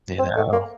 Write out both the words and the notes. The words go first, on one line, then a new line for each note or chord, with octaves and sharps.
You know?
C4
A3
A#3